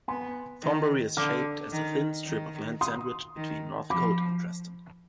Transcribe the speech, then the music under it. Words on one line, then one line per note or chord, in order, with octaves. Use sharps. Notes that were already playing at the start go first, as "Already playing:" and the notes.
Thornbury is shaped as a thin strip of land sandwiched between Northcote and Preston.
B3 G#5 C6
D#3
D3 D6 F6
D#3
D#3
C6 D#6
D#3
F3 B5 D6